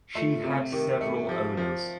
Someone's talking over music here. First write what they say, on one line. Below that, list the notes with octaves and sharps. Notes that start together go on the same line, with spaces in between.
She had several owners.
A3 F4
C3
D#3 G4
A3
F3 G4
F3